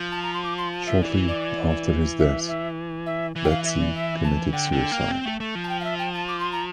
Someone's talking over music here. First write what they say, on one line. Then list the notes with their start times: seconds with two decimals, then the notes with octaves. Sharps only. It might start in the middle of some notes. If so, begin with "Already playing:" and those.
Shortly after his death Betsy committed suicide.
Already playing: F3
0.12 A5
0.23 A#5
0.33 C6
0.43 D6
0.58 C6
0.73 A5
0.87 E5
1.01 E3 D5
1.28 D5
2.19 E5
2.48 E5
3.06 E5
3.36 E3
3.44 G5
3.50 F5
3.64 E5
3.80 D5
3.94 E5
4.24 A5
4.53 D3 G5
4.72 D3
4.92 A#3
5.11 C4
5.25 A3
5.40 A3
5.55 F3
5.64 A5
5.69 G5
5.80 F5
5.84 E5
5.99 G5
6.14 A5
6.28 D6
6.40 C6
6.52 A#5